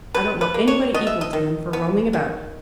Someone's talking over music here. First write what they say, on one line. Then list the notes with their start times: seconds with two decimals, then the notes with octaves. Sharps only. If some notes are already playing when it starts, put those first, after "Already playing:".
I don't know anybody equal to them for roaming about.
0.14 B2 B4
0.41 B4
0.54 A#3
0.68 C#5
0.94 B3 D#5
1.07 E5
1.21 D#5
1.33 D#3
1.73 B3
2.13 D#3